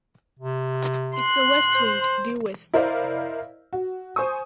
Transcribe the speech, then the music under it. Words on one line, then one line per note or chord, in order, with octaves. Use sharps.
It's a west wind, due west!
C3
C6 F#6
C5
E4 A#4 C5 D5 D#5 F5
F#4
C5 G#5 C#6 D#6